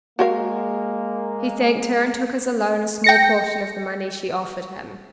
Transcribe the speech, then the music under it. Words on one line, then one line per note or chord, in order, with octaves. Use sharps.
He thanked her and took as a loan a small portion of the money she offered him.
G#3 A#3 F#4 A#4 F5
G5 A#6 C#7